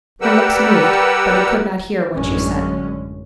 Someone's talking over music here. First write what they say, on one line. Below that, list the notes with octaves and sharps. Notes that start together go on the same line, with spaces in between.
Her lips moved, but he could not hear what she said.
G3 G4 A#4 B4 F#5 E6
A1 F#2 D3 G#3 C#4